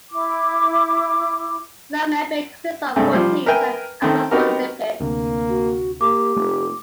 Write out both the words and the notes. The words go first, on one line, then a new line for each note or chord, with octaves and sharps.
A cell membrane consists of proteins and phospholipids.
E4 D6
G2 C3 G#3 A3 C4
F3 G3 C5
A#4 B4 E5 G5 G#5
D#3 A3 C4
B3 C4 D#4 F#4 G4 A#4
D2 C3 A#3
F#4
A#3 G4 D6
F1 A3